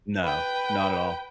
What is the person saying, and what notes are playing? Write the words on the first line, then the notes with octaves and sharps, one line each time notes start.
No. Not at all.
B4 G5